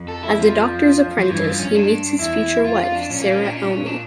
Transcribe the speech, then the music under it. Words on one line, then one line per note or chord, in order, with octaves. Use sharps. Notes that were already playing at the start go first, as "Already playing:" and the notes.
As a doctor’s apprentice, he meets his future wife, Sarah Elmy.
Already playing: F2
A4
E4
F3
F3
G2 E3
F3
C#4
G2 D4
E2 E4
F2 F4
F4
D4
A#2 C#4
A#3
C#4
D4
C#4
D4
C#4
D4